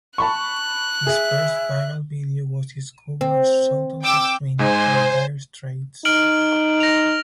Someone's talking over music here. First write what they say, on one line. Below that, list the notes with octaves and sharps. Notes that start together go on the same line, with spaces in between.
His first viral video was his cover of "Sultans of Swing" by Dire Straits.
A5 B5 C#6 F#6
G#4 E5
C4
G5 D6 E6
G#2 G#3 D#4 C5 G#5
D#4 F6 D7 F#7
A#6 F7